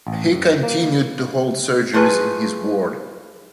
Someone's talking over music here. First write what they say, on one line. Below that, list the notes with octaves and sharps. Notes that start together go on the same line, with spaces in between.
He continued to hold surgeries in his ward.
A1
F#2
A#3
F3 A3 G#4 B4